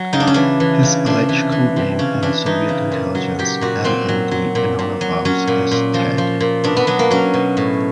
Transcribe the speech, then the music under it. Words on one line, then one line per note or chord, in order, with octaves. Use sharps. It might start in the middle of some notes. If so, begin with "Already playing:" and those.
His alleged code name in Soviet intelligence and in the Venona files is "Ted".
Already playing: F#3
C#3 D#4
D4
C#4
E3 D4
E3
C#3
C3 D4
E3
E3
C3
C#3 C#4
E3 D4
E3 D#4
C#3
A#2
F#3
F#3 G4
A#2 F#4
A#2 C4
F#3
F#3
A#2
A#2
F#3
F#3 C#4
A#2
A#2
F3
F3
A#2
B2 D4
B3
F#3 B3
A#3
F#3 C#4
B2
A2